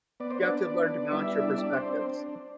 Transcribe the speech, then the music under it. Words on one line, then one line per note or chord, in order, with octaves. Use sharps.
You have to learn to balance your perspectives.
B3 D5
C5
B3 D4 D5
D4
B3
G3 E4 E5
D4
D5
E5
D4 D5
C4 C5
D4